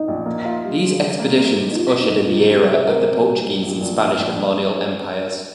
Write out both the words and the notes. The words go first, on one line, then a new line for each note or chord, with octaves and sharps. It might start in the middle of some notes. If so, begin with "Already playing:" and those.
These expeditions ushered in the era of the Portuguese and Spanish colonial empires.
Already playing: D#4
A#1
A#3
F4
G3
C#3
G3
A#3
G3
G3
D#4
G3 F4
C3
D#4
C3
F4
G3
C3 G4
G#4
C4 G4
C3 A#4
C3
G3
G3
A#1
A#1
G#2
A#1